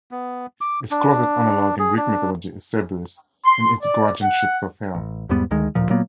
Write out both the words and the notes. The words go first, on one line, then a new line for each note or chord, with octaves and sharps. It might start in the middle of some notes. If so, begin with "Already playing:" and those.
Its closest analogue in Greek mythology is Cerberus, in its guardianship of hell.
B3
D6
D4
G#4
D4
C6
D5
F#5
A1
E2 G#2 G3 B3
D2 D#3 G#3
D1 A#2 F3
A#2 F#3 A#3 B3